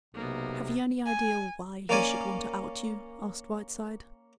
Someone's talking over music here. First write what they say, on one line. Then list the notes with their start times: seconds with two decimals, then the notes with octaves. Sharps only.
"Have you any idea why he should want to out you?" asked Whiteside.
0.14 B1 C3 A#3 B3
1.06 G#5
1.89 A#3 C#4 D5 G#5